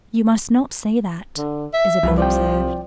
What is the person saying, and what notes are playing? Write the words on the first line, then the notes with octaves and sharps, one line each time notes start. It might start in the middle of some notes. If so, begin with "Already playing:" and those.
"You must not say that," Isabel observed.
D3
E5
C2 F3 B4
F3 D5 G5